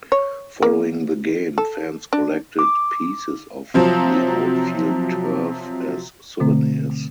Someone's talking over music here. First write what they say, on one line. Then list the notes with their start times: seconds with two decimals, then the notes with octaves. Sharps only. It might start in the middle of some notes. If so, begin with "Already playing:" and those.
Following the game, fans collected pieces of the outfield turf as souvenirs.
0.12 C#5
0.62 A#3
1.58 A4
2.13 D4
2.59 D6
3.74 C3 F3 F#3 C5
6.40 B2 D3 A3 C4